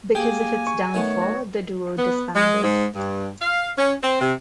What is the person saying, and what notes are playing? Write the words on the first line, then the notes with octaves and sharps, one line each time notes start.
Because of its downfall, the duo disbanded.
A#3 G4 G#4 G5 G#5
C#6
D#3 A3 B3 C#5
F#4
B3
G#3
G#2
G2
F5
C#4
C4
C3